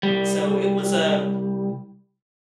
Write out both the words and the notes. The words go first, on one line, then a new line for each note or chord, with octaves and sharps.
So it was a
C2 G3